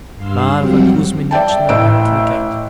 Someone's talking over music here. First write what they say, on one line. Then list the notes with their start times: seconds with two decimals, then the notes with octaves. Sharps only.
Mavra Kuzminichna went to the gate.
0.16 G2 F5 C6 E6
0.57 F2 F#3 G3 C4 F#5 G5
1.31 D5 E5 G5 A5
1.69 A1 D#5 G5 E6 D7